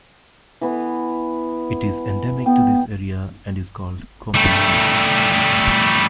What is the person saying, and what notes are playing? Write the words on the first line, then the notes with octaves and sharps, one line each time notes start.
It is endemic to this area and is called Kompelloma.
E3 B3
B3 G5
G3 A3